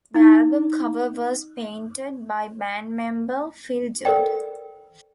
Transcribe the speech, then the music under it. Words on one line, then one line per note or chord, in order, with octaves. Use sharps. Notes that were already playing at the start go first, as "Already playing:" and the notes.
The album cover was painted by band member Phil Judd.
D#4 E4
A4 A#4 C5 D5 G5